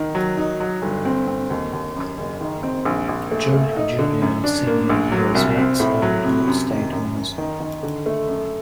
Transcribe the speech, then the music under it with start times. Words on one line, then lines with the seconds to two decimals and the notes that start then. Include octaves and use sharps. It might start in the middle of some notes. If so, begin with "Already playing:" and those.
During her junior and senior years, Mitts earned all-state honors.
Already playing: D#3
0.15 F#3
0.37 D#4
0.60 F#3
0.82 G1
1.05 C4
1.27 C4
1.50 D#2
1.73 D#2
1.96 F#2
2.18 F#1
2.41 D#3
2.63 C4
2.85 A#1
3.09 A#1
3.31 A3
3.54 A3
3.76 D#4
3.99 D3
4.22 F#2
4.44 D4
4.67 A#3
4.90 A#1
5.12 F#3
5.35 C2
5.57 C4
5.80 A2
6.02 F#3
6.25 C3
6.48 F#2
6.70 D#3
6.92 F#2
7.16 F#2
7.38 D#3
7.60 D#3
7.83 D3
8.06 A3
8.28 F#2